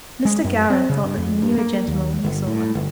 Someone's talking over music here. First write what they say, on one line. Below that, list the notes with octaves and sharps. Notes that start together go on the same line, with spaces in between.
Mr. Gowran thought that he knew a gentleman when he saw one.
G#3
F#2
C4
C#3
G2
F2
G2
A#3
D#2
G1
A2
G1